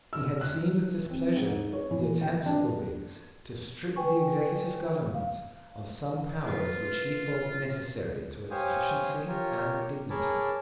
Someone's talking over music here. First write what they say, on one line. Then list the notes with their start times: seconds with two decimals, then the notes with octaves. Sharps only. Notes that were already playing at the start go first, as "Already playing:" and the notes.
He had seen with displeasure the attempts of the Whigs to strip the executive government of some powers which he thought necessary to its efficiency and dignity.
0.13 E6
0.41 F#6
1.10 C4
1.36 G#2
1.73 C#5
1.91 E3
2.21 G5
2.46 D4
3.96 B4 G5 G#5 C#6
5.15 F5
6.45 E4 F4 A#4 B4
8.51 G4 C5 C#5 F5 G#5 D#6
9.28 F4 G4 A#4 C#5
10.10 G#4 A#4 C#5 A5 B5 D6